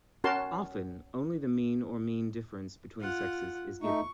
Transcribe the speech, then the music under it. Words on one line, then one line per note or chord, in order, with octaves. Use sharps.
Often only the mean or mean difference between sexes is given.
C#4 F#4 A#4 A5 C6
F4 F#5
A3 D#4 C#6